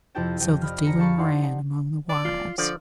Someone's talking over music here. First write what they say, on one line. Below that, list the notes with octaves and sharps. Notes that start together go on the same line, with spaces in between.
So the feeling ran among the wives.
F2 C3 E4 G4 G5 A5
F2 G5 D#7
D5 D#5 B5 F6
D3 A#4 A#5 B6 C#7
G4 G#4 F5 A5 B5 C#6
D#4 G4 D5 F#5 C6
D5
F4
D3 F3 D5